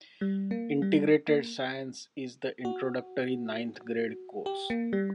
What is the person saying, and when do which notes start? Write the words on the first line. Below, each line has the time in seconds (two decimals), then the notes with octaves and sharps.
Integrated Science is the introductory ninth grade course.
0.21 G3
0.51 A#3
0.82 G3
1.28 A#3
2.65 F#4
4.46 G4
4.70 A#3
4.93 G3